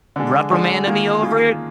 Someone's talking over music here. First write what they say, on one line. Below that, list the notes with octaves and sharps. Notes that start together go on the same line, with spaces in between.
reprimanding me over it,
D3 G#3 D4
D3 G#3 D4
D#3 A#3 F4 G#4
D#3 A#3 F4 G#4